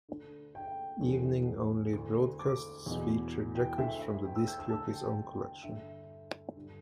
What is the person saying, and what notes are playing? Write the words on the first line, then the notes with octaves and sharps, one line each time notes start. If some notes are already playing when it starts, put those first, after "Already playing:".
Evening-only broadcasts featured records from the disc jockey's own collection.
D2 D3
G5
E2 D3
D2 D3
D6
E2 B2
G5
D2 D3 E5
E5
G5
E6
G6
E6
D2 D3 A5
G5
G5
G2 D3 E5
G2 D3